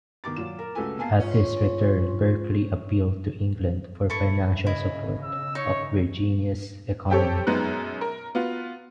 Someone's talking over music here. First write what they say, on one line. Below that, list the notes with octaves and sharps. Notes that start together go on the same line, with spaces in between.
At his return, Berkeley appealed to England for financial support of Virginia's economy.
B2 D#3 D6 A6
A#2 F#3 F4 E7
A#4
C#2 A3 F#4 A4 B4 G#5
B2 A#3 G#5 A5 C7
C#4 F4
E4 A4 C#6
C#3 E4 D#5
E6
D#4 C#5 D#6
C4 G4 A4 C#5
F#2 G#3 B3 D#4 F#6
A#4
B3 F4 F#4